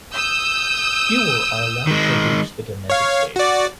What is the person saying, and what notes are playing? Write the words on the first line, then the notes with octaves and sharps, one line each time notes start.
Fewer are left to reach the demented stage.
D#6 E6 G6
D#3 G#3
C#5 F5
F#4 D5